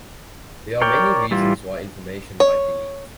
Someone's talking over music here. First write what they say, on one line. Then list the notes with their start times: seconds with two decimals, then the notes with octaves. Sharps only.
There are many reasons why information might be leaked.
0.81 A#4 C#5 D5 G5
1.31 E3 G3 E4 F4
2.40 C#5